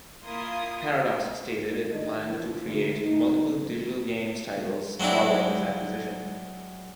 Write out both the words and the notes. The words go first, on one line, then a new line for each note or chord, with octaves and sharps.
Paradox stated it planned to create "multiple digital games titles" following this acquisition.
A#3 E4 F4 C6 D#6 G#6
G#2
G2 D#3 A3 D4 A4 D#5
E3 F3 D4 E4 A#4
D2
D#4
F#3 G#3 C4 D4 E4